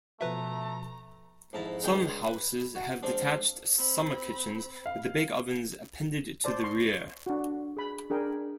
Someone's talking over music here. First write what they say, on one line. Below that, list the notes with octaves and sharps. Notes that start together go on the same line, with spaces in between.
Some houses have detached summer kitchens with bake ovens appended to the rear.
B2 F3 A3 F#4 B4 E5 A#5
F2 G#2 E4 A5 A#5
C#2 G#3 D4 G5
B4
F#4
F3 G#3 C4 D4
C4 B5
F5
C5 D5 A5
C6 C#6
D4 F#4
G#4 B5
D4 G#4 A#4 G5